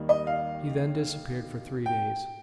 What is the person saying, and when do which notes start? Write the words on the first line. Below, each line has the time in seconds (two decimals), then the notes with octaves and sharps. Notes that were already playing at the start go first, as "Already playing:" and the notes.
He then disappeared for three days.
Already playing: D#2 D#3 G3 A#3 D#4
0.09 D#5
0.27 F5
1.86 G5